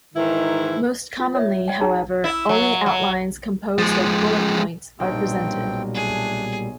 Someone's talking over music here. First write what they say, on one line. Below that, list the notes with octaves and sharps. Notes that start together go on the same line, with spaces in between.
Most commonly, however, only outlines composed of "bullet points" are presented.
G#2 D#3 E3 E4
F4
C#5 D5 E5
D5 F#5 G5
D#4 G#4 C#5 A#5
E4
F#3
F#3
F3 G#3
B1 G2 A#2 G3 C4 G5
A3 D4 G#4